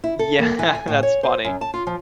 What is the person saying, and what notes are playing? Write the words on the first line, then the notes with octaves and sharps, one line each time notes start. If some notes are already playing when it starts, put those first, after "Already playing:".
Yeah. That's funny.
E4
A4
A#3
E3
G#5
A2
C#5
C5
F#2
A5
F4
F3